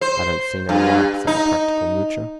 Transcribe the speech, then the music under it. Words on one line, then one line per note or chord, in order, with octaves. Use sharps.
"I don't see no wipe," said the practical Moocher.
C5
G2
D#4